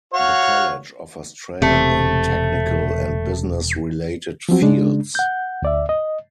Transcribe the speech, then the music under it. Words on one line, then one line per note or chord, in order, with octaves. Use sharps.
The college offers training in technical and business-related fields.
F#4 C#5 F5
E1 C3 A3
F3 F#3 C4 F#4
C#3 G#3 D4
F#5 G6
D2 D5 E5
D#5